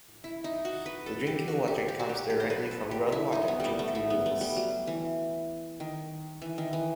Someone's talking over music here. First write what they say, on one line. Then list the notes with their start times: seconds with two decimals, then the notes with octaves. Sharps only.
The drinking water comes directly from groundwater through three wells.
0.24 E4
0.44 D#4
0.65 F#4
0.86 B4
1.06 A4
1.27 G4
1.48 F#4
1.68 G4
1.88 G4
2.00 F#4
2.09 G4
2.30 G4
2.40 C5
2.50 B4
2.71 A4
2.91 G4
3.12 E4
3.33 D#4
3.48 B3
3.60 G3 A3
3.79 A3
3.95 B3
4.10 B3
4.26 A3
4.41 G3
4.57 F#3
4.87 E3
5.80 D#3
6.42 E3
6.58 D#3
6.73 E3